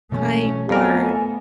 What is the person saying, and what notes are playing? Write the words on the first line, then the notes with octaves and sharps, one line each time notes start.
pint or
B2 E3 F#3 A3 C#4
F2 A3 B3 A4 A#4 G#5